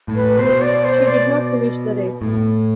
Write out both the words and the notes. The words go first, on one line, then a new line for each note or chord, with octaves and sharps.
She did not finish the race.
A2
B4
B4
B2 C5
D5
C5
D5
A2